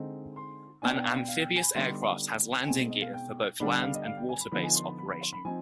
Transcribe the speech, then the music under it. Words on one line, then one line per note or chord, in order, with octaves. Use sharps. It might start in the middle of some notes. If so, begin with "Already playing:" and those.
An amphibious aircraft has landing gear for both land and water-based operation.
Already playing: D3 G#3 C4 D#4
C6
B2 B3 D4 G#5
G5
F5
G5
F5
G5
G#5
B5
D3 G3 B3 D#4 C6
G5
B2 G#3 C4 D#4 G#5
D#5
F5
G5
D3 G3 B3 D4 B5
G5
F5
D#5
F5
G5
G#5
B5
D3 F3 B3 D#4 B5
G#5
C6
B5
B5
B5
C6
B5
F3 C4 D#4 G#5